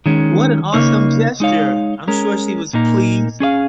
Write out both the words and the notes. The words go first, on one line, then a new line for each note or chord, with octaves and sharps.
what an awesome gesture, I'm sure she was pleased.
D#3 G#3 C#4
C#3 A#3 D#4 C#5
G#3 D#4 C#5 F5
G#3 C#4 A#4
A#2 A#3 D#4 A#4
C#4 G#4 C#5 F5